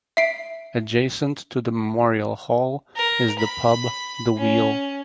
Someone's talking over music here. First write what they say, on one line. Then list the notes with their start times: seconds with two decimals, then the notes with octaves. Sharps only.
Adjacent to the Memorial Hall is the pub The Wheel.
0.17 E5 C7 D7
2.97 A#4
3.39 B5
4.38 C#4